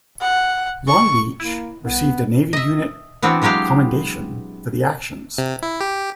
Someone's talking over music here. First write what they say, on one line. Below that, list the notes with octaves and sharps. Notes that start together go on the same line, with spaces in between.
"Long Beach" received a Navy Unit Commendation for the actions.
F#5
C#6
A#3 E4
C2 B3
D#5 E5
E3 B3 C4 D4 F#4
E3 F#3 G#3 G4 F5
C3
E4
G4